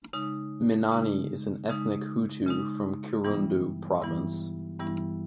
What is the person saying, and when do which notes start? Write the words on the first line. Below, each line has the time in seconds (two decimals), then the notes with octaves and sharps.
Minani is an ethnic Hutu from Kirundo province.
0.13 C#3 G#3 D#4
0.92 C#3 G#3 D#4
1.69 C#3 G#3 D#4
2.46 C#3 G#3 D#4
3.24 G2 E3 G3 B3 E4
4.01 G2 E3 G3 B3 E4
4.79 G2 E3 G3 B3 E4